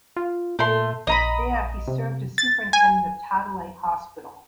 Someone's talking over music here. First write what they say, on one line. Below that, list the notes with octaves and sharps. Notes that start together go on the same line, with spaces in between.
There, he served as Superintendent of Tadalay Hospital.
F4
A#2 A3 C6
A#1 D#5 A#5 B5
C3
A6
G#5